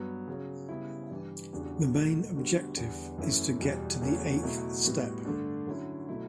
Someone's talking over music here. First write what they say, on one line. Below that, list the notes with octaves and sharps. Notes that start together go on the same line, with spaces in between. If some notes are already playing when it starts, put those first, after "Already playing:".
The main objective is to get to the eighth step.
Already playing: G2 F#3 B3
C#3 F#3 C#4
C#3 G3 B3 E4
G2 E3 G3 D4
E2 C#3 G3 D4 F#4
B2 F#3 A3
D3 G3 B3 D4 F#4
E2 D3 G3 B3
F#2 E3 A3 C#4 E4
E2 B2 G3
E2 C#3 F#3 A3 C#4
B2 F#3 A3 E4
A2 G3 B3 F#4
G2 D3 A3 D4
D3 F#3 C#4 E4
B2 F#3 A3 E4